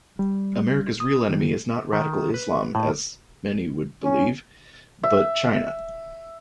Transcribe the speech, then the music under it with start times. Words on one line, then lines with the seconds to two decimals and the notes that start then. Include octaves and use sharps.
America's real enemy is not radical Islam, as many would believe, but China.
0.19 G3
1.00 D#6
1.30 D#3
1.93 D#3
2.34 B4
2.75 A2
4.04 C#4
5.03 E5